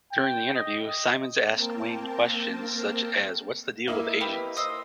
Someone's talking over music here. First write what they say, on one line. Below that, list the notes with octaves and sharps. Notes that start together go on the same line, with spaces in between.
During the interview, Symons asked Wang questions such as What's the deal with Asians?
G5
D#5
D#5
A#3 C4 A#4 G5 A5
A#3 D#4 E4
G4 B4
C5 D#5 E6